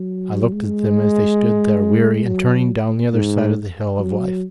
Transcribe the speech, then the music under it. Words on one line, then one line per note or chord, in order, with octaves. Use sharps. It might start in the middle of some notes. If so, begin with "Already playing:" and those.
I looked at them as they stood there, weary, and turning down the other side of the hill of life.
Already playing: F#3
G#3
F#3
G#2
F#3